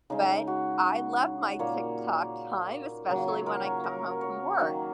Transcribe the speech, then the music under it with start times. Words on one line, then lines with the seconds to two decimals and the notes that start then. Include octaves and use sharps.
but I love my TikTok time, especially when I come home from work,
0.10 C#3 G#3 D#4
0.47 F#4
1.59 A#2 A#3 C#5
3.09 C#3 F#3 A#3
3.28 C#5
3.46 A#4
3.65 C#5
3.84 A#4
4.21 C#5
4.59 D#3 F#3 A#3